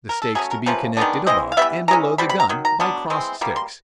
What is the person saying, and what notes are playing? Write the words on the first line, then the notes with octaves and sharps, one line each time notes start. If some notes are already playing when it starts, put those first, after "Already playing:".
The stakes to be connected above and below the gun, by cross sticks.
A#4
A4
F#3 A3 C#4 G#4
A#4
C3 F3 A#3 C#4 B4
D#3 G#3 B3 D4
E3 G#3 C4 D#5
F5
E3 G3 B3 E5
E3 G#3 C#4 A#5
B2 G3 C4 B5
B5
A#5
D#3 F#3
A#5
B2 F#3 B3 D4
E3 G#3 C4
B2 G3 A#3
C6